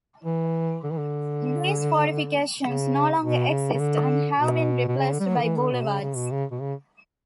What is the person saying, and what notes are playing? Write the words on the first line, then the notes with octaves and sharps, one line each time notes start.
These fortifications no longer exist and have been replaced by boulevards.
E3
D3
E3
D3
C#3
B2
C#3
C#3
D3
B2
B2
C#3
D3
G3
F#3
D3
E3
D3
B2
C#3
C#3
B2
C#3
B2
C#3